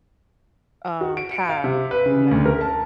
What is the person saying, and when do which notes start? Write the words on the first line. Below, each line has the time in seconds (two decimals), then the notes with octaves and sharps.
uh, path. Yeah.
1.01 F#4
1.17 D7
1.31 C#7
1.49 F5
1.64 C3
1.91 B4
2.06 C#3
2.31 D2
2.46 A#4
2.61 A5